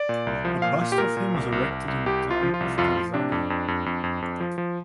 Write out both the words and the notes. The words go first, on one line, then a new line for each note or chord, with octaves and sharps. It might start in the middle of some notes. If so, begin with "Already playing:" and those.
A bust of him was erected in the town of Kardzhali.
Already playing: D5
A#2
C2
F3
A#2 F5
A#2
G4
A#2 A#4
A#2
C2
C2
C2
C2
C2 G4
C2
F4
F3
F4
C2
F2 F4
F3
C3 D4
F2
F2
F2
F2
F2
F2
F3
F3